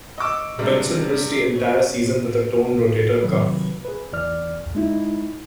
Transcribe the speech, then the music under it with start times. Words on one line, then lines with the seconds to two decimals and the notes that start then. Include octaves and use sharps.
Benson missed the entire season with a torn rotator cuff.
0.18 D#5 C#6 D6 E6
0.58 C3 G3 G#3 D4
1.56 C#4
3.22 C3 D#3 F#3 B4
3.85 G#4 B4
4.12 E2 E3 D5 F6
4.75 G#3 D#4 E4